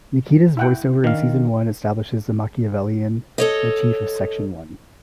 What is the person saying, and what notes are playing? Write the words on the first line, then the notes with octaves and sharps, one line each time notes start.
Nikita's voice-over in Season One establishes the Machiavellian motif of Section One.
E4 F#5 G5
D#3 D4 F5
A4 C#5 D#5